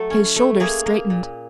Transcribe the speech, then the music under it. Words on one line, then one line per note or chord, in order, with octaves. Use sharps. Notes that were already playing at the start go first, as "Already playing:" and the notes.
His shoulders straightened.
Already playing: F#3 A3 A4
C#4
A3
A#3 G#4
A#3
A#2